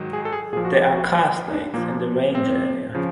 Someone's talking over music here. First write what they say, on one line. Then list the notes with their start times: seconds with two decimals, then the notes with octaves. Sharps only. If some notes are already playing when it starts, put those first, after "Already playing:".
There are karst lakes in the range area.
Already playing: G#2 D#3 F#3
0.13 G#4
0.25 A4
0.32 G#4
0.53 A#2 G#4
0.57 F3
0.65 F#4
0.73 G4
0.93 F#4
1.13 F4
1.49 D#4
1.53 D4
1.74 A#2 F3 A#3
2.35 C4
2.95 C#3 F3